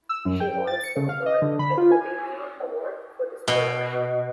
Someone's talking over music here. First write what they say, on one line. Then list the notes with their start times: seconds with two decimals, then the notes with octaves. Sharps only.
She also earned an Olivier Award for this production.
0.09 E6
0.25 F#2
0.40 G5
0.67 A6
0.84 C#7
0.97 C#3
1.09 F5
1.26 D#5
1.42 D3
1.59 B5
1.78 F4
1.92 G#5
3.48 B2